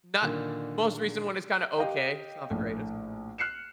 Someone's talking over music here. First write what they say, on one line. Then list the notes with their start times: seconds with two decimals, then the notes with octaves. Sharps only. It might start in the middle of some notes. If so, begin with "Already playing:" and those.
Not Most recent one is kinda okay, it's not the greatest,
0.22 A#2 D3 D#3
1.78 G4 D#5 F5 G5
2.51 A#1 A2
3.38 F6 F#6 C7 C#7 E7